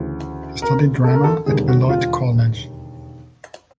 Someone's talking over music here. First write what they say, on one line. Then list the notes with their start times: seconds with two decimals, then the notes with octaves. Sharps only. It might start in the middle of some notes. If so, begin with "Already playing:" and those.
He studied drama at Beloit College.
Already playing: D2 C#3 E3
0.62 A#4
1.04 A4
1.14 A#4
1.24 A4
1.46 E1 D#2 D3 G3 G#4
1.68 F#4
1.89 F4